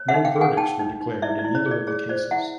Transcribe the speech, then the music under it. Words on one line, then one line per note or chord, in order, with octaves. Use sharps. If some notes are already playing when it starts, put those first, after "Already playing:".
No verdicts were declared in either of the cases.
Already playing: C#5
E5 F#5
D#4
F5 G5
G#4
F#5 G#5
D#4 G5 A5
D#4
D#4
E4 D5 E5
D5
E4
C#5
G#4
D5
G#4 C#5
C5 D5
E4 E5 F#5